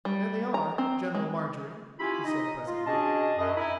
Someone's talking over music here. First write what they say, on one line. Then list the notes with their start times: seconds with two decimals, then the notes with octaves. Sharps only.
"There they are--General Marjorie," he said presently.
0.05 G3
0.54 A#5
0.78 C4
1.15 G#3
1.99 C#4 E4 F4 G4 G#5 B5
2.25 D#4 D#5
2.67 F4
2.86 B2 C#4 D4 G#4 D#5 A5
3.37 F#2 D#5
3.56 D#4 E4 G#5 B5